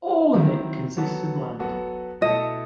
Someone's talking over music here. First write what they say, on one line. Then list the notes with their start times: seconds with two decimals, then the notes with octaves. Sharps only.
All of it consists of land.
0.34 D#3 F#3 C4 E4
0.97 F#3 B3 F#4 A4
1.59 F#3 B3 F#4 A4
2.21 B2 A3 E4 A4 D#5